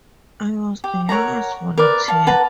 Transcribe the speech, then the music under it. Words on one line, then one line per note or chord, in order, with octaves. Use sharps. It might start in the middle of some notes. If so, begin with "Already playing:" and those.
I was the youngest volunteer.
G4
A#4 C#5 F#5 A#5
A#4 B4 D5
F5 A5
B4 F#5 A5 A#5